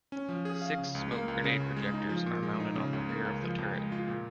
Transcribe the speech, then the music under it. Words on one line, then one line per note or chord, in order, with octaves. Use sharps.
Six smoke grenade projectors are mounted on the rear of the turret.
C#4
F3
G#4
F5
C#3
C#2
A#3
C#2
C#3
C#2
G#3
D#4
F3
A#2
G#3
D#4
C#3
C#2
A#3
C#2
F3
F2
G#3
F4
A#2